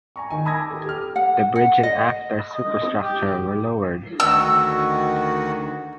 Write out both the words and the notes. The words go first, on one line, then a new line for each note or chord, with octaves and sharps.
The bridge and after superstructure were lowered.
G#5 A#5 C#6
D#3 G#5
A5 B5 D#6 E6 G#6 A#6
D6
G4 A4
G4 F6
F#5
F#5
D#5
D#5
G4
D2 D#3 F#4 E6